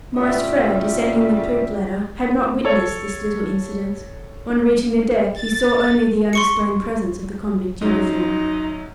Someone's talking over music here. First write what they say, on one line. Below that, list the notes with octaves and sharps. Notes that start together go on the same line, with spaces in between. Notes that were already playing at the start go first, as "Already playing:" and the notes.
Maurice Frere, descending the poop ladder, had not witnessed this little incident; on reaching the deck, he saw only the unexplained presence of the convict uniform.
A2 C#3 F4 G4 D5 E5
A4 C#5
A6
C6 C#6 C#7
F#2 F#3 D#4